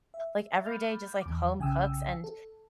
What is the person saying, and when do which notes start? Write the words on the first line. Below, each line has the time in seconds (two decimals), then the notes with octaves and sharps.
like, everyday just, like, home cooks, and
0.14 E5
0.64 B5 D6 F6 G6 A6
1.22 E2 D6
1.59 B1 C#3 G5 G#5 D#6 E6
2.24 A4